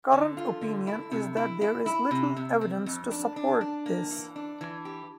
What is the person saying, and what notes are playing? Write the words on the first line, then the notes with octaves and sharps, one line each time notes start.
Current opinion is that there is little evidence to support this.
D3
F4
D3
E4
C3
E4
E4
E4
C3
C3
C4
F2
D4
D4
D4
A#3
E3
D4
E3
G4